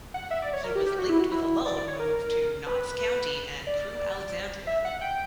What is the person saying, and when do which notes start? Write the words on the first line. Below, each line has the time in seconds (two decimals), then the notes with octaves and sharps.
He was linked with a loan move to Notts County and Crewe Alexandra.
0.14 F#5
0.31 E5
0.42 D5
0.53 C#5
0.64 A#4
0.75 G4
0.86 G4
0.98 F#4
1.09 E4
1.20 F#4
1.31 E4
1.66 D5
1.77 D5
1.88 C#5
2.00 A#4
2.67 B4
3.67 D5
4.67 E5
4.85 F#5
5.01 G5